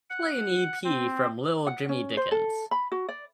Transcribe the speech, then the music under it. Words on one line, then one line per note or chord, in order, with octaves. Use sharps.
Play an ep from Little Jimmy Dickens.
F#5
C4
F#5
C#4
C5
A4
B5
F#4
D5